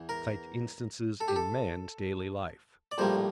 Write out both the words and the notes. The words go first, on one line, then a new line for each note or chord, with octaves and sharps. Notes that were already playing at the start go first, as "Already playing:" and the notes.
Cite instances in man's daily life.
Already playing: E2 E3
A#4
A4
G4
A4
D5
A#1 A2 G3 A#3 C5